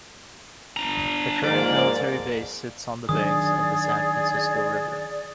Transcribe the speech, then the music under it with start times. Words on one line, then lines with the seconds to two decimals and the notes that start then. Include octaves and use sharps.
The current military base sits on the banks of the San Francisco River.
0.77 D4 A#5
1.44 G#2 F3 A#3 D5
3.09 D#3 F#3 D4 G#4 D5 D#6